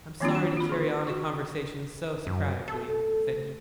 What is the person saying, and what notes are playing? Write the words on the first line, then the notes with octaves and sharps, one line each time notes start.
"I'm sorry to carry on a conversation so Socratically," said he.
D#3 F3 A#3 C4 D4 F4
F#4
F4 B5
D3 G#4
F#4 C#6
F#2
A3 A4